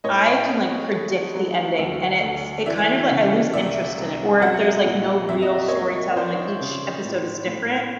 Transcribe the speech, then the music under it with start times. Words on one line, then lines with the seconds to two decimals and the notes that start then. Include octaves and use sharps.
I can, like, predict the ending, and it's it kinda, like I lose interest in it, or if there's, like, no real storytelling, like, each episode is different
0.04 A2 C#5 D#5
0.48 C4
0.92 A3
1.35 F#3
1.79 D2
2.23 D2
2.66 E3 D5 E5
3.11 C#3
3.53 C2 D5 E5
3.98 C2
4.41 F#3 E5 F#5
4.85 A#2
5.28 F2 E5
5.42 D#5
5.55 D5
5.68 A#3 C#5 D#5
6.16 F3 C5 D5
6.60 C#3
7.05 A2
7.47 A2